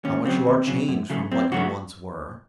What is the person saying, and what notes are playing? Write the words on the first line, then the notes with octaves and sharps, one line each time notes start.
How much you are changed from what you once were!
D#2 C#4
C#3 F#3 C4
D#2
C#3 F#3
F#2
C#3 F#3 A3
F#2 C4
C#3 F#3 A3 F#4